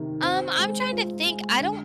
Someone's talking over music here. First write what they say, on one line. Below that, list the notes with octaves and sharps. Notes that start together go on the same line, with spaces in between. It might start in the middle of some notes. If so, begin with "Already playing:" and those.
Um, I'm trying to think, I don't
Already playing: C3 D#3
C4
G#3
F4
G#3
D3